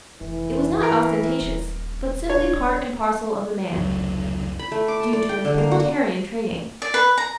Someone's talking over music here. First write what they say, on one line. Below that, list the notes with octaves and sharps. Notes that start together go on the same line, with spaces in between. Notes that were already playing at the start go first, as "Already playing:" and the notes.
It was not ostentatious, but simply part and parcel of the man, due to his Presbyterian training.
F1 E3
E4 A#4
D#1
D4 C#5
F1 C#2 F#3
B5
A3
D6
A5
D5
G5
D3
A#3
F#4
D5
B4
A#5